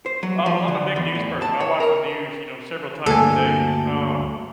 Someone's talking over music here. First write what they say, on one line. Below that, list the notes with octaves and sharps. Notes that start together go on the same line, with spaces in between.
Oh, well, I'm a big news person. I watch the news, you know, several times a day. Um,
C5
F#3
F3
D3
E2
A2
A5
C#5
A#4
D2 G2 A#3 A4 G#5